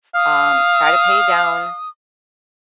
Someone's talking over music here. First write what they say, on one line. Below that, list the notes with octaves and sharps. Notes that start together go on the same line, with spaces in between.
Um, try to pay down,
F5 D#6